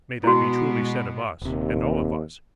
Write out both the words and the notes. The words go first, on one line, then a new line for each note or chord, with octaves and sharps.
May that be truly said of us, and all of us!
B2 G#3 B3 E4 F#4
D#1 D#2 C3